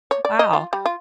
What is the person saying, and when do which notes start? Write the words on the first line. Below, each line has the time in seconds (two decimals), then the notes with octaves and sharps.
Oh, wow.
0.11 C#5
0.25 D5
0.39 D#5
0.53 F4
0.73 G3
0.86 F4